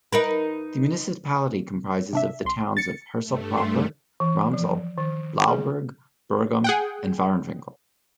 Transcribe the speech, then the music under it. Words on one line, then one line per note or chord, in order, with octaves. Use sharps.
The municipality comprises the towns of Herselt proper, Ramsel, Blauberg, Bergom and Varenwinkel.
D#4 A#4 B4
C3 D4 E5
B1 C6
A6 C#7
G2 A3
C6
E3
F3
D#3
G#4
G#4 F#5 G5